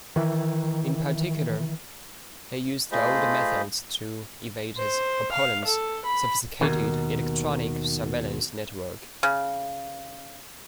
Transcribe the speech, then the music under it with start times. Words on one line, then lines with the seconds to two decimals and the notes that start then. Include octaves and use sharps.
In particular, he used old methods to evade his opponent's sophisticated electronic surveillance network.
0.16 D#3 E3
2.92 A3 F4 G#4 C5 D#5 B5
4.78 C5
5.34 F5
5.66 A4
6.06 B5
6.61 D#2 B2 D#3
9.23 C#3